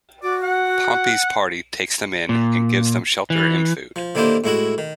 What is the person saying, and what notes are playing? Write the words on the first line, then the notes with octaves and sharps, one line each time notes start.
Pompey's party takes them in and gives them shelter and food.
F#4 D5
F#5
A#2
E3
F3
D3 D#3 A#3 E4 G4 C5
A2 G#3 E4 F#4
D#3